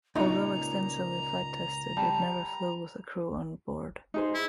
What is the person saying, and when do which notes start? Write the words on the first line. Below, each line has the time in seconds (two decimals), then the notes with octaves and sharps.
Although extensively flight tested, it never flew with a crew on board.
0.15 C#2 A#2 D4 D#4 A#5
1.97 G3 A5
4.14 D#4 G#4 C5
4.34 E4